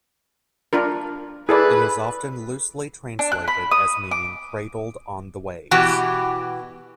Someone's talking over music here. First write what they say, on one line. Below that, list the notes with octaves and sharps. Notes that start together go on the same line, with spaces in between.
It is often loosely translated as meaning cradled on the waves.
D4 F4 A#4
E4 G#4 A4 B4 D5
D4
F#6
B5
D#6
D6
B2 E3 F#4 G4